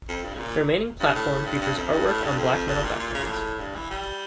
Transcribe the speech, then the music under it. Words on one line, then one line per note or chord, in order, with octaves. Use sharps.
The remaining platform features artwork on black metal backgrounds.
F2
G2
C#3
A#2
G2
A2
G2
G2
F2
G2
A2
G2
F2
G2
A#2
A#2
C#3
A#2
A2
G2
E3
G3